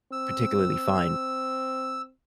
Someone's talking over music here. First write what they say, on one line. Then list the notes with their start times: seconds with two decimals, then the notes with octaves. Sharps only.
particularly fine,
0.12 C4 E6